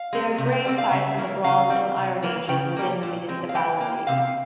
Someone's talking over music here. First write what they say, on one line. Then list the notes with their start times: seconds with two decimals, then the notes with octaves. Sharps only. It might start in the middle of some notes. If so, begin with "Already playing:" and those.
There are grave sites from the Bronze and Iron Ages within the municipality.
Already playing: F5
0.13 G#3 C4
0.38 C3
0.52 G5
0.65 G3 C4 G5
0.78 F5
0.91 C#3 E5
1.17 E3 A#3
1.44 C#3 F5
1.70 G3 C4
1.96 C3
2.23 E3 A#3
2.49 C#3 G5
2.76 G3 A#3
3.03 A#2
3.28 G#3 C4
3.49 F5
3.55 E3 G5
3.81 A#3
4.07 C3 F5